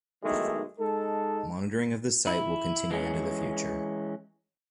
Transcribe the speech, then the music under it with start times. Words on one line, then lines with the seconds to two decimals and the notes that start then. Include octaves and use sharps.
Monitoring of the site will continue into the future.
0.23 B1 D#3 E3 G#3 A3
0.80 G#3 D#4 A4
2.27 E4
2.91 E3 G#3 A#3 C#4